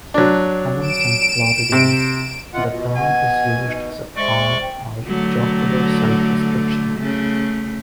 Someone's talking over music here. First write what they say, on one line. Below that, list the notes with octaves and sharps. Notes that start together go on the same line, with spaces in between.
Among some Floridians, the term is used as a proud or jocular self-description.
F#3 D4
D7 E7
C3
E3 E4 F4 D#5 F#5
B2 F4
D#5 F#5 G#5
D#4
G#3 C5 D5 E5 C#6
G5
D3 F#3 A3
C#3 A3